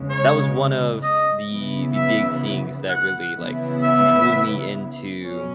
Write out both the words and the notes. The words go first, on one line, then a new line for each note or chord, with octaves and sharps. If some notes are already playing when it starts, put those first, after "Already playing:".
that was one of the the big things that really, like, drew me into
Already playing: E2 C#3 G#3
C#5
D#5
C#3 E3 B3 E4
E5
F#5
C#3 E3 B3 E4
E5
B2 F#3 C#4